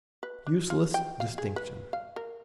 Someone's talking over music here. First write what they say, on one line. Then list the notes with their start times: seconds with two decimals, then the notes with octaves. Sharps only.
Useless distinction!
0.23 B4
0.47 D4
0.70 F4
0.94 G5
1.20 F5
1.38 G#4
1.56 B4
1.93 F5
2.16 A#4